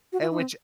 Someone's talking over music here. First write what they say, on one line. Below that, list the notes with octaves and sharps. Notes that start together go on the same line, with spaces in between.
and which
F#4
F4
D#4
C4